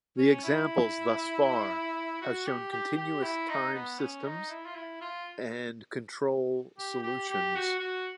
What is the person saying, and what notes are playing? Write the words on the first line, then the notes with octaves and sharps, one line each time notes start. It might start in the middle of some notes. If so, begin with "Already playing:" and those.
The examples thus far have shown continuous time systems and control solutions.
C#4
E4
F#4
G4
G4
G4
E4
D#4
B3
C#4
D#4
E4
F4
E4
F4
G4
G4
G4
F#4
F#4